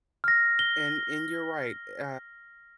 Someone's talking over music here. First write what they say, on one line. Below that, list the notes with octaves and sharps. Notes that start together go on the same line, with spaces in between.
and and you're right, eh, uh,
F6 A#6
G7